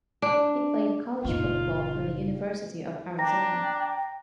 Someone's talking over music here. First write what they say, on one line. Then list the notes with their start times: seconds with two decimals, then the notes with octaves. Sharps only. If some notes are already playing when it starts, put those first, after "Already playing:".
He played college football for the University of Arizona.
0.22 D4
1.25 F#1 A#2 C#3 D#4 F4
3.18 D4 G5 A#5 A#6